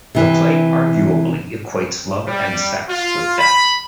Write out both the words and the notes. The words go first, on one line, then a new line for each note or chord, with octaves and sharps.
The play arguably equates love and sex with death.
C3 E3
G3
F4
B5